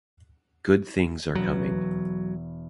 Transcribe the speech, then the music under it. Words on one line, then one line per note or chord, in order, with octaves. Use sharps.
Good things are coming.
E1 F#3 B3